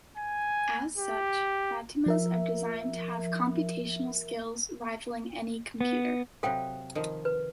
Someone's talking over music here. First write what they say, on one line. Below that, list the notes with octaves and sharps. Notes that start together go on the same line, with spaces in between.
As such, Fatimas are designed to have computational skills rivaling any computer.
G#5
G4
F3 A#4 E5
B3
C3 F#3 A4 B4 F5 G5
D#3 F3
B4